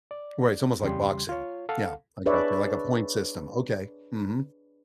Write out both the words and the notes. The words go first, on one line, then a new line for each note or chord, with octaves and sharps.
Right, it's almost like boxing. Yeah, I got you. Like a point system. Okay. Mhm.
D5
E2 C#3 G3 G4 C6
F4 C#5
A4 F5 F#5
D4 G#4 B4 C#5 D5 E5